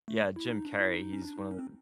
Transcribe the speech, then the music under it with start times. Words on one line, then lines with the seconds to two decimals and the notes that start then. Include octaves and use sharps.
Yeah, Jim Carrey. He's one of the,
0.08 A3
0.36 E4
0.50 D#4
0.65 D4
0.80 E4
0.94 D#4
1.13 C#4
1.22 D4
1.38 D#4
1.51 C#4
1.59 C4